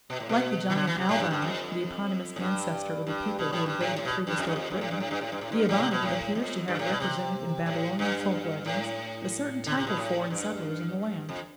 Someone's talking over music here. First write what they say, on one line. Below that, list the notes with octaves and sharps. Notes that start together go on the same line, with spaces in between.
Like the giant Alban, the eponymous ancestor of a people who invaded prehistoric Britain, Ea-bani appears to have represented in Babylonian folk legends a certain type of foreign settlers in the land.
B2
A2
B2
E3
D3
E3
C3
A2
G2
G2
F2
A2
G2
G2
B2
A2
G2
A2
A2
B2
G2
F2
G2
F2
G2
A2
G2
A2
G2
A2
G2
A2
G2
A2
C3
B2
A2
F2
G2
A2
B2
C3
A2
G2
A2
D3
C3
B2
A2
G2
F2